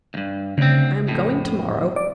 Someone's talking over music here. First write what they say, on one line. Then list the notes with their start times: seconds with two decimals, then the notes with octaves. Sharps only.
I am going to-morrow.
0.14 D2 G2
0.58 D2 C#3 C4
1.08 F2 A2
1.96 D5